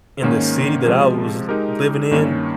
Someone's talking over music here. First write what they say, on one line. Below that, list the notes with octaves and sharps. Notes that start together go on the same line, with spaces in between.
in the city that I was l living in,
G#2 D#3 A#3 C#4
C3 F3 G#3
G#3 D#4 G4 A#4
G2 D#3 A#3 C#4